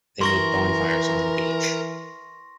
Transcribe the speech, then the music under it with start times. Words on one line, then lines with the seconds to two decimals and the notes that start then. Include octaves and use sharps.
They make bonfires on the beach.
0.21 E3 A#4 C6 C#6 A#6